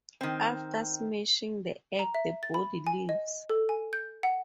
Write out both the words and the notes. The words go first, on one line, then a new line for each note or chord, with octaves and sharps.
After smashing the egg the boy leaves.
D#3 C4
A#5
E5
A6
B5
G#5
D#5
A4
G#5
G6
F#5